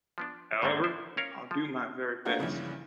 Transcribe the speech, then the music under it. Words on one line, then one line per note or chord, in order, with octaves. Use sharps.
However, I’ll do my very best.
F3 B3 D4
D2 G#2 D3 A3 A#3 C4
D4 E4 C5
C#4 A#4 C#5 F5
F3
A3 A#3 D4 F4 F#4
A#1 G2 C#3 E3